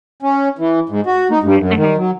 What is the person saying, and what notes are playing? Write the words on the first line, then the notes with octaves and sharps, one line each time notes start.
Mhm. Mhm.
C#4
E3
G#2
F#4
D#4
G2
F#2
D#3
F#3